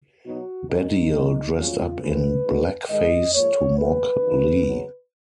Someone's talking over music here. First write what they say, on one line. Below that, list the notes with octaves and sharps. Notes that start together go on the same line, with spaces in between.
Baddiel dressed up in blackface to mock Lee.
B2 F#3 B3 D#4 F#4
F#2 D#3 F#3 C#4 D#4
D#2 D#3 F#3
F2 C#3 F#3 C#4 F4
D#2 D#3 G#3 C#4 B4
B2 G#3 D#4
G#2 D#3 G#3 D#5
G#2 F3 A#3 C#5
G#2 F#3 A#3 B4
F#2 D#3 A#3 D#4
C#3 F#3 C#4